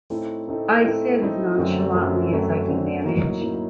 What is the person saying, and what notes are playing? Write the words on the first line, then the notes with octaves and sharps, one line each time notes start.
I said, as nonchalantly as I could manage.
A2 A3 C4 D#4 A4
A2 A3 C4 D#4 A4
A2 A3 C4 D#4 A4
A2 A3 C4 D#4 A4
F#2 D3 F#3 A3 C4
F#2 D3 F#3 A3 C4
F#2 D3 F#3 A3 C4
F#2 D3 F#3 A3 C4
A2 F#3 A#3 D#4
A2 F#3 A#3 D#4